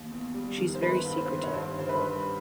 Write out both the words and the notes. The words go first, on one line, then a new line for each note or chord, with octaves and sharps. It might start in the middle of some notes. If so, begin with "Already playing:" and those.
She's very secretive.
Already playing: D#2
E2
G3
D#3
C5
G1 B4
G2
C5
D#3
C#5
G2 C5
D3 C5
B4
G3